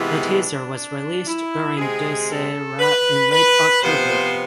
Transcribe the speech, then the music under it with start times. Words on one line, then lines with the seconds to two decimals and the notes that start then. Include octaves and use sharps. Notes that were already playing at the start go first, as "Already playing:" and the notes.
The teaser was released during Dussehra in late October.
Already playing: C3 E3 G#3 B3 F4
0.24 D4
1.26 E4
1.77 C3 G#3 C4 G#4
2.29 A4
2.79 B4
3.31 B4
3.81 C3 F3 B3 C5